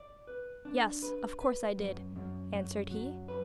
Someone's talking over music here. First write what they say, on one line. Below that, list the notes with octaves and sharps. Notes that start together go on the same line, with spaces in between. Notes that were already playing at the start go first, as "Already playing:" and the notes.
'Yes, of course I did,' answered he.
Already playing: D5
B4
D4
B4
B4
F#2
F#2
F#2
F#3
B4